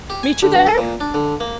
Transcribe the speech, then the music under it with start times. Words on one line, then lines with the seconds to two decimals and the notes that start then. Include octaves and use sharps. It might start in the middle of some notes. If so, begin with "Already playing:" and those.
Meet you there?
0.10 G4
0.23 G#5
0.43 D3
0.55 G2
0.66 A4
0.78 A#2
1.00 D4
1.14 D3
1.40 A#3